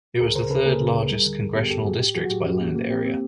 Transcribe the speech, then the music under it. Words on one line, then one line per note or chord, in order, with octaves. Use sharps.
It was the third-largest congressional district by land area.
D2 G#4 A#4
C#3 A#4 C5
C#3 A4 B4
A#3 G#4 A#4
C#3
D2
G3
D3
G2
B3 G4 A4
G2 G4 A4
G2 F#4 G#4
A2 G4
F#3 F#4 G#4
F#4
A2 G4
C#4
A#3
A#3
C4 G4
C4